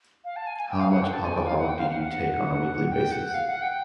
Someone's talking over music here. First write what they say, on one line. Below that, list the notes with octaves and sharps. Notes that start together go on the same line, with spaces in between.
How much alcohol do you take on a weekly basis?
F5
A5
G#5
G#5
G5
F5
F#5
G5
A5
G#5
G5
F5
F#5
G5
F5
F#5
F#5
F#5
G5
F#5
F5
F#5
G5